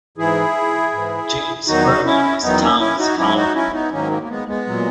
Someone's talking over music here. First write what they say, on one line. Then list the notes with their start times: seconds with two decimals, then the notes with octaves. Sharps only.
James Verner was town's founder.
0.17 G#2 E3 E4 G#4
0.92 G#2 E3
1.67 E2 D#3 F#3 D#4 F#4
2.04 C#4 E4
2.42 E2 D#3 F#3 B3 D#4
2.61 A#3 C#4
2.79 C#4 E4
2.98 D#4 F#4
3.17 G#2 D#3 F#3 C#4 E4
3.35 D#4 F#4
3.55 C#4 E4
3.73 B3 D#4
3.91 G#2 D#3 F#3 A#3 C#4
4.11 A#3
4.23 A#3
4.29 G#3 B3
4.48 G#3 B3
4.67 A#2 F#3